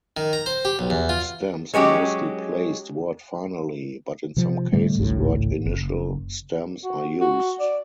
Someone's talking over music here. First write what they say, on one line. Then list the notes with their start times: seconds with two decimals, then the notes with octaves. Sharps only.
Stems are mostly placed word-finally, but in some cases word-initial stems are used.
0.17 D#3
0.33 A#5
0.46 C5
0.65 G4
0.79 B1
0.90 E2
1.09 F4
1.74 F#3 G#3 C#4 G4
4.37 C3 F3
4.72 A2 D3 G3 A3
4.98 G#1 C#2 A2
5.66 F#1
6.84 F#4
7.21 F#4
7.60 D5